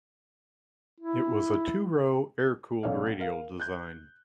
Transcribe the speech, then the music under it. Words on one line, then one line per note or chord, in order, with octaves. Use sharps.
It was a two-row, air-cooled radial design.
E4
B1 C#4 C#5 D5 F5
A#4 F5
F#6 G6